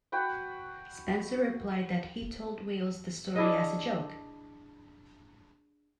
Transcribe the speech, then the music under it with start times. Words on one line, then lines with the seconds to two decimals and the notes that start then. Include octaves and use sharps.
Spencer replied that he told Wales the story as a joke.
0.12 F#4 B4 F#5 G5
3.36 D4 E4 G#4 D#5